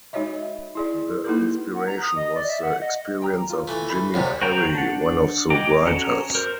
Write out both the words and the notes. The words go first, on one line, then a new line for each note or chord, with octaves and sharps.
The inspiration was the experience of Jimmy Perry, one of the writers.
G#3 D#4 F#4 C#5 D#5 E5
E4 G#4 D5
A#3 D#4 E4 G4 A4 B4
F#5
A#5
D#6
D#5
D5
E5
F#5
D#5
G5 A#5
F4
E3 A3
A4 B5
D#2 G#2 C3 D5 D#5 F#5
F#4 C5 G5 A#5
D4 F#5
G#3 D#5 G5 A#5 D6
C#4 F#4 A4 A#5
A#4 C5